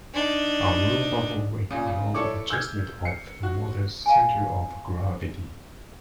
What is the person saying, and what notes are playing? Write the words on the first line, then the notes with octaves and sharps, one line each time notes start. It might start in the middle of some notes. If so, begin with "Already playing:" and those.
A movable weight allowed adjustment of the model's centre of gravity.
D4 D#4
A#2 C#3
C#3
E4 A4 C#5 D5 D6
E6 F6 G6 G#6
C7 C#7
F#4
F5 G#5